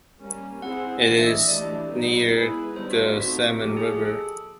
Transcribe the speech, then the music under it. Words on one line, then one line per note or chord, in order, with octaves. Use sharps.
It is near the Salmon River.
G3 A#3 C#4
C4 E4 G#4 C5 F#5
E3 A3 D4
E5
D#5
E3 A3 D4 G4 D5
F#3 B3 D#4
G#3 B3 E4 G#4 B4
D3 G3 B3 D#4 C5
F#4
F4
A3 C4 D#4 F#4
F3 A#3 D#4 F#4 G4 A4
G#4
G#4
A4